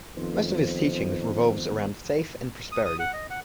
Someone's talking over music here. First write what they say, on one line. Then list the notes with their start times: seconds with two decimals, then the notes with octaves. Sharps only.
Most of his teachings revolves around faith and prosperity.
0.17 F2 D#3 B3 C5
2.72 D#6
2.86 D#6
2.99 F#5
3.13 D#5
3.30 F#5